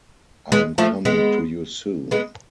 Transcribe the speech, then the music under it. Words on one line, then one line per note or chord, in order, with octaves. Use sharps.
I am coming to you soon.
G#3 B3
F3 A3
G#3 B3
G#3 B3